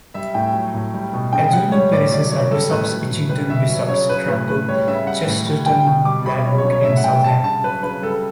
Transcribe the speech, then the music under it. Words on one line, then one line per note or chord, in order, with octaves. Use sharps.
Adjoining parishes are Bishop's Itchington, Bishop's Tachbrook, Chesterton, Ladbroke and Southam.
G3 E5
A2 G5
F#3
A2
G3
B2
C#3 G5
G3 F#5
G3 C#5
A2 D5
F#3 D5
C#3 C#5
G3 A4
A2 B4
F#3
A2
G3 B4
B2 E5
F#3
C#3 C#5
F#3 B4
A2 B4
A2 B4
G3 C#5
C#3 E5
G3 F#5
A2
G3
G3 G5
B2 G5
G3 D6
B2 B5
F#3 C#5
C#5
C#3
C#5
A2 E5
F#5
G3 G5
G3 A5
C#3 A5
F#3 B4
C#3 B4
G3 A4